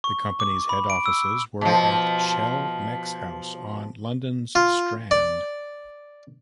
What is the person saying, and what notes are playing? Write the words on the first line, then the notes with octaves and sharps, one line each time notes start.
The company's head offices were at Shell Mex House on London's Strand.
C#6
D6
B5
D7
E6
B2 F3
F4
D5